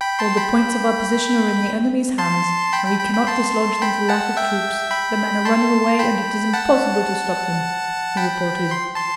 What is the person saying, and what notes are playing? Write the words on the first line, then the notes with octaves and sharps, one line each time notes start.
"All the points of our position are in the enemy's hands and we cannot dislodge them for lack of troops, the men are running away and it is impossible to stop them," he reported.
G5 B5
A5 C6
G5 B5
A5 C6
G5 B5
G5 B5
G5 B5
G5 B5
A5 C6
G5 B5
F#5 A5
E5 G5
G5 B5
A5 C6
G5 B5
F#5 A5
G5 B5
C6
A5 C6